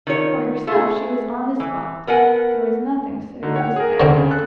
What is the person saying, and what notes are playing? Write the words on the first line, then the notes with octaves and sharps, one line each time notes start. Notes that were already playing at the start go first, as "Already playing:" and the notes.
For herself she was on the spot; there was nothing so good as that.
D#3 F4 C#5
A3 G#4
E3
B3 A#4 F#5 G#5
D3 D#4 F#4
C#5 F#5 G5
G#4 A#4
D3 C4
C#3
A4 F#6